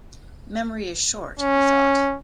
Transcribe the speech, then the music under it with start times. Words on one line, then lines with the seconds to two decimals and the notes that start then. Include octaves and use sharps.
"Memory is short," he thought.
1.39 C#4